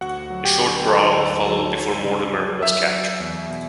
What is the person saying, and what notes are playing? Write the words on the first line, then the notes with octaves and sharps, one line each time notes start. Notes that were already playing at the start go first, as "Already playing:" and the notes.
A short brawl followed before Mortimer was captured.
D2 F#4 F#5
F#3
G4 G5
D3
F#3 A4 A5
D2
F#3
F#3
C#3
F#3
F#3 E5 E6
F#3
E2
B2